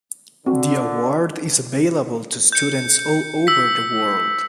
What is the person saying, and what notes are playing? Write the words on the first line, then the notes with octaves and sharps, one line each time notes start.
The award is available to students all over the world.
D3 C4 F#4
G6 C#7
E6 B6